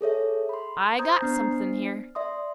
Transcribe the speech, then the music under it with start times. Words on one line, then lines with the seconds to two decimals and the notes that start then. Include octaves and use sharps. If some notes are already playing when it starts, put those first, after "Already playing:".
I got something here.
0.01 G#4 A4 C#5 E5
0.49 B5 C6
0.99 C5 A#5 D#6 G6 G#6
1.22 B3 D4 C5 F6 A6 C7
2.15 D5 E5 C6 D#6